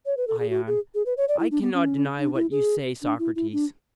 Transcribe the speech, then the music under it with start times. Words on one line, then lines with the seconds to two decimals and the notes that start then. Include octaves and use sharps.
ION: I cannot deny what you say, Socrates.
0.06 C#5
0.17 B4
0.28 A4
0.39 G#4
0.49 F#4
0.67 G#4
0.95 G#4
1.06 B4
1.17 C#5
1.28 D5
1.39 E4
1.51 D4
1.62 B3
1.74 C#4
2.18 D4
2.35 E4
2.51 G#4
3.02 D4
3.19 E4
3.36 E4
3.53 D4